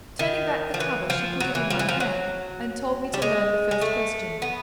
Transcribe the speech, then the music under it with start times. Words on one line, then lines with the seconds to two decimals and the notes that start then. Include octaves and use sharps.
Turning back the cover she put it in my hand, and told me to learn the first question.
0.19 D#3
0.74 F3
0.80 E3
1.10 F3
1.40 F#3
1.55 E3
1.70 F3
1.79 E3
1.89 F3
2.00 F#3
3.14 G3
3.22 G#3
3.71 G#3
3.81 A3
4.42 B3